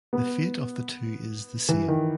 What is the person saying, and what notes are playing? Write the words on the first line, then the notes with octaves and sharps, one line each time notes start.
The fate of the two is the same.
B3
E3
D#3